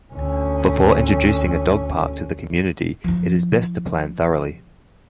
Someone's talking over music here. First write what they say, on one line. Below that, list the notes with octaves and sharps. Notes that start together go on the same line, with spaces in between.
Before introducing a dog park to the community, it is best to plan thoroughly.
D2 C#4
F3 E4